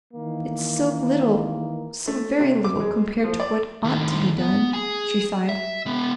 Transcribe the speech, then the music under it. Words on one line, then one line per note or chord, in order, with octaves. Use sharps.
"It's so little--so very little compared to what ought to be done," she sighed.
D#3 E3 A#3
A3
C3
D6
G#3
F3
D5
A2 D#3
B3
G#4 G#5
E5
G#3 B3